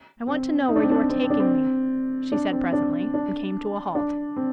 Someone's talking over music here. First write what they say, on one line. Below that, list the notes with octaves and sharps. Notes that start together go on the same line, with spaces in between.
"I want to know where you are taking me," she said presently, and came to a halt.
C4
D#4
D4
C4
D4
C4
C4
D4
C4
D4
C4
D4
D4
D4
C4